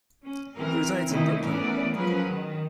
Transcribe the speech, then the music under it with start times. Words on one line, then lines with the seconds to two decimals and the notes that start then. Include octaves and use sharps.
He resides in Brooklyn.
0.24 C#4
0.57 E3 C4 A#4
1.08 C3 D#3 A3 C#4 D#4 E4
1.41 E3 A3 B3 C#4 A#4 D5
1.95 F3 F#3 G#3 C#4 A#4 B4
2.29 D#3